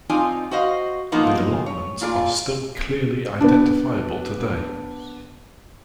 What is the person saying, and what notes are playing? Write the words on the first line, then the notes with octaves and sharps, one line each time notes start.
The allotments are still clearly identifiable today.
C4 D#4 F4 D5 G#5
F#4 C5 D#5 F5
F3 A#3 B3 D#4 F4
C#5
A#2 F4 G#4 D5
B3 D4